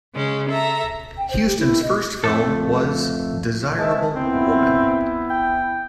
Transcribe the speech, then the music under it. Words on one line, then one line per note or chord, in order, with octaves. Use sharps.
Huston's first film was "Desirable Woman".
C#3 G#3 C#4
A4 E5 A#5
G5
C5
G4
E4
D#5
F2 A3 A4
G#3 C4 E5 A5
B3 C4 E4
G5